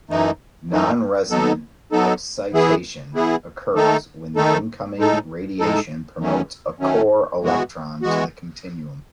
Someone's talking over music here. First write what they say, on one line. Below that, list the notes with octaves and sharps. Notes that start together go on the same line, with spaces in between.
Non-resonant excitation occurs when the incoming radiation promotes a core electron to the continuum.
F#2 E3 A3 D#4
F#2 E3 A3 D#4
F#3 B3 D#4 A4
F#3 B3 D#4 A4
E3 B3 E4 G#4
E3 B3 E4 G#4
D#3 A3 D#4 A4
D#3 A3 D#4 A4
A2 G#3 D#4 A4
A2 G#3 D#4 A4
D#3 F#3 A3 C#4
D#3 F#3 A3 C#4
E3 G#3 B3 F#4
E3 G#3 B3 F#4